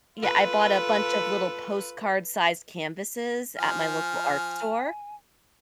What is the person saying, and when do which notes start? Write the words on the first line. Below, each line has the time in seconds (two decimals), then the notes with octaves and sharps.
Yeah, I bought a bunch of little postcard sized canvases at my local art store,
0.19 F4 A4 B4
3.58 F3 G#5 F6